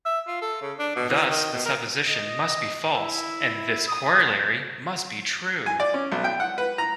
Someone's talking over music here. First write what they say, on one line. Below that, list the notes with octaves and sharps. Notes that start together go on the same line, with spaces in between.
Thus the supposition must be false, and this corollary must be true.
E5
F4
A4
C#3
D4
B2
E3
D#3
B2
A#4
D#5
E4
D#6
G#5
D5
C#4
B1
G5
F#5
B4
A#5